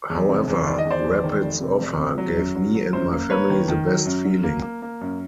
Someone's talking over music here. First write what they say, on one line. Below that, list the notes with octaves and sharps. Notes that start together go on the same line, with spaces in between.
However, Rapid's offer gave me and my family the best feeling.
E2
C3
E2
D#3 D5
D#5
E2
C5 D5
E2
D#3
F1
C3
F1
C3
F#3
F#2
F#3
F#3
F#2 C5
A#3
A#3 B4 C#5
D#3
D#3
F#3
F#2
F#3
A#3
A#3
A#3
F#2